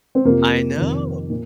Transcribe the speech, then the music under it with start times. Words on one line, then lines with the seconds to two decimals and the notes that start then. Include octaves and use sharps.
I know.
0.15 C4
0.25 F2 C3 F3 A#3
0.77 F2 C3 D#3
1.30 A#2